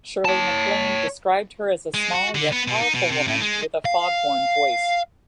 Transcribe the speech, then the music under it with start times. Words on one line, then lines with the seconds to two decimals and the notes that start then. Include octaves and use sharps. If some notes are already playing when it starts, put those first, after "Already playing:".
Shirley MacLaine described her as a small, yet powerful woman with a foghorn voice.
0.25 C#5 A5
1.94 G#3
2.13 F#4
2.35 D3
2.52 B3
2.68 B2
2.81 D#4
2.94 B2
3.12 C3
3.28 A2
3.42 G#3
3.85 F5